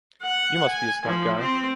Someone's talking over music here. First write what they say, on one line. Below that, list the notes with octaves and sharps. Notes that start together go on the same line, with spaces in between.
You must be a smart guy!
F#5
G#5
F3
C4